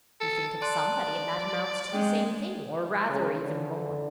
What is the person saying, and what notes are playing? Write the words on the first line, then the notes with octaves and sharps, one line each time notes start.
"You think of somebody, and that amounts to the same thing, or rather even more."
A4
D5 A5 C6 F#6
G#3 C4 D4 G5
C#3
D3